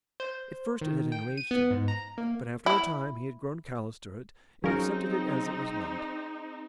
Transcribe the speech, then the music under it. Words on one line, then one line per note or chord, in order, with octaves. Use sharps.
At first it had enraged him, but after a time he had grown callous to it, and accepted it as it was meant.
C5
D#3
G5
D#7
B3
G#2
A#5
A#3
E4
F#3 C4 C#4 D#4 G#4 A#4 F5